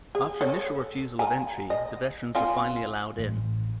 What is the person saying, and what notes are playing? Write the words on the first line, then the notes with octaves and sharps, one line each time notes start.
After initial refusal of entry, the veterans were finally allowed in.
G#4
A4 C#5
G#5 A#5
D#5
C4 F4 G#5
A1